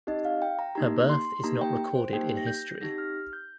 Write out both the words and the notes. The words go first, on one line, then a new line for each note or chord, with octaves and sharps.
Her birth is not recorded in history.
C4 D#4 G4 D#5
F5
G5
A#5
A#3 D#4 G4 A#5
C6
A#3 D#4 G4 A#5
G5
C5
A#3 D#4 G4 G5
A#6
G6
C4 D#4 G4 A#6
F6
G6